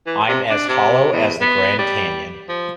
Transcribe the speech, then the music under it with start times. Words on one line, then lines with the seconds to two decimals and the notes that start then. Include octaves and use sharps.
I'm as hollow as the Grand Canyon.
0.07 E3
0.28 C3
0.50 D4
0.69 C3
1.13 E2
1.41 B3
1.79 G3
2.49 F3